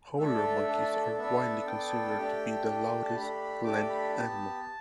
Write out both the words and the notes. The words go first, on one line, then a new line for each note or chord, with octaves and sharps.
Howler monkeys are widely considered to be the loudest land animal.
A3 D4 A4 E5
A3 D4 A4
B3 D4 A4 E5
B3 D4 A4 G5
A3 D4 G4
A3 D4 G4
A5
A3 D4 G4 B5
A3 D4 G4 D6
B5
B5
B3 G4 A5